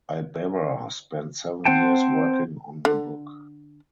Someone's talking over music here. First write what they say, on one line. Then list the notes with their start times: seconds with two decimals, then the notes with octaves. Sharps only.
Ibarra spent seven years working on the book.
1.65 C4 C5 F#5 G5 A5
2.85 D3